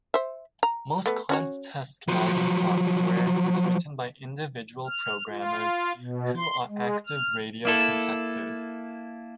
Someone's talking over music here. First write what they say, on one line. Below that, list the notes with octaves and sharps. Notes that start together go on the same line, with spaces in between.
Most contest logging software is written by individual programmers who are active radio contesters.
C5 E5
A#5
A3 B3
C#4 F#4 C#5
F3 F#3
F6
F4
B2
C6
G#3
F6
A#3 E4 A4